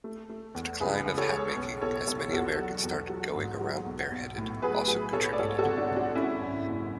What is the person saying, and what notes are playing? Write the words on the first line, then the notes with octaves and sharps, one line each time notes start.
The decline of hatmaking, as many Americans started going around bareheaded, also contributed.
A3
A3
E2
C#2 G#4 B4
C#2
A4 C#5
G#3
B1
B1 A4 C#5
B1 A4 C#5
E2 F#4 A4
F#3
E2
F#3
G#2
F#3
B1
B1
A2
F#3 G#4 B4
F#3 G#4 B4
B1 A4 C#5
D5
G#2 A4 C#5
F#4 A4
G#1
D4 F#4
G#1
D4 F#4
G#3 C#4 E4
F#2
F#1